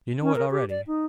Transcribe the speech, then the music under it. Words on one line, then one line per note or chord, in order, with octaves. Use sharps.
You know it already.
C#4
A#4
G4
D5
D#4